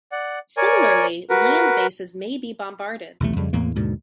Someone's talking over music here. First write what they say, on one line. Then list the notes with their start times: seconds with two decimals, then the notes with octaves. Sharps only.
Similarly, land bases may be bombarded.
0.12 D5 F#5
0.57 A#4 C#5 D5 G#5
1.30 F#4 A#4 B4
3.20 B1 E2 C3 A3
3.36 F2 C#3 G3
3.53 E2 A2 A#3
3.75 D#2 G#2 B2 D3